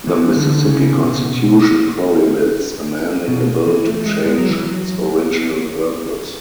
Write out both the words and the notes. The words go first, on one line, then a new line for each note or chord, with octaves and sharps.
The Mississippi Constitution prohibits amending a bill to change its original purpose.
E3
D3
C#3
C#3
B2
C#3
B2
B2
E3
A3
G#3
G#3
F#3
E3
F#3